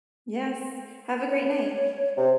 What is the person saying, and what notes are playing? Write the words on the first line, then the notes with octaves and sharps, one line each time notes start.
Yes. Have a great night.
C#5
C3 C5